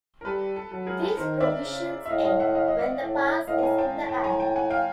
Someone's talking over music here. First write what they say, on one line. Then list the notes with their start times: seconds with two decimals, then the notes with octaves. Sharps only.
These provisions end when the pass is in the air.
0.21 A#4
0.25 G3 A4 B4
0.56 A4
0.72 F#3 A4
0.86 G#4 A#4
1.02 A4 B4
1.17 D#3 A#4 C5
1.40 D5 E5
1.64 C#3
2.06 E5
2.09 A2 D#5 F5
2.25 D#5 F5
2.40 E5 F#5
2.55 D#5 F5
2.68 D#5
2.79 D5 E5
3.02 A2
3.47 A2 D#5 F5
3.63 G#5 A#5
3.78 G5 A5
3.94 A2
4.09 G5 A5
4.24 G#5 A#5
4.40 G5 A5
4.56 F#5 G#5
4.70 F5 G5